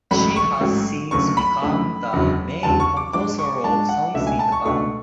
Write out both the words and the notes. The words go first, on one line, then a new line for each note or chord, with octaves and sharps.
She has since become the main composer of songs in the band.
A1 G#2 F#3 A3 B5
C#6
A1 G#2 F#3 A3
F#1 F#2 D3 A3 C#6
B5
F#1 F#2 D3 A3
F#1 E2 D3 F#3
F#1 E2 D3 F#3 A5
C#6
D6
G#2 G#3 D4 D6
C#6
G#2 G#3 D4 A5
F#5
C#2 B2 A3 D4 E5
G#5
A5
C#6
C#2 B2 A3 D4 C#6